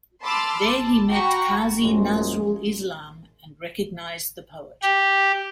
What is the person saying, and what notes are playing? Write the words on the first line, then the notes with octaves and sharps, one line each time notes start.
There he met Kazi Nazrul Islam and recognized the poet.
A5 B5 C6 D6 E6 F6
A5
F#4 G5 A#5 B5 C#6
F#2 F3 G#3 A#3
G4